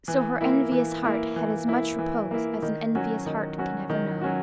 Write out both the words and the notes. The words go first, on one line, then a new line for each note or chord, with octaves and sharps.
So her envious heart had as much repose as an envious heart can ever know.
E3
A#3 E4
E3
A#3 E4
E3
A#3 E4
E3
A#3 E4
D#3
F#3 C#4 F#4
D#3
F#3 C#4 F#4
D#3
F#3 C#4 F#4